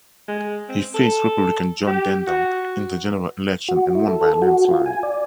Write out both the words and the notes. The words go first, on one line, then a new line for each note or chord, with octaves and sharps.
He faced Republican John Dendahl in the general election and won by a landslide.
G#3
C4
A4
G4
F#4
F#4
E4
A4
F#4
F4
G#5
D5